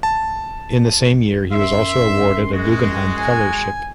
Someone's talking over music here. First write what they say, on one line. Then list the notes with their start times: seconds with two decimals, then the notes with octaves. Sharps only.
In the same year he was also awarded a Guggenheim Fellowship.
0.03 A5
1.52 F#2 E5 C6
2.53 G#3 F#4
3.17 G#5